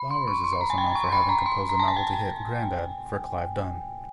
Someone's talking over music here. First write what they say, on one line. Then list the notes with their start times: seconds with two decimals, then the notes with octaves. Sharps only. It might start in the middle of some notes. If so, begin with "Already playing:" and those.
Flowers is also known for having composed the novelty hit "Grandad" for Clive Dunn.
Already playing: B5
0.11 C6
0.28 C#6
0.44 C6
0.53 B5
0.61 A#5
0.70 G#5
0.78 G5
0.86 G#5
0.95 C#6
1.04 C6
1.12 B5
1.29 A#5
1.46 C6
1.69 A#5
1.79 A5
1.88 G#5
1.97 G5